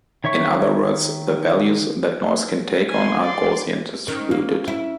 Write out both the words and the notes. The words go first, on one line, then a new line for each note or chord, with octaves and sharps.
In other words, the values that the noise can take on are Gaussian-distributed.
D#3 C#5 E5 C#6
G#5 C6
D5 C6
D#3 C#4
A#3
E4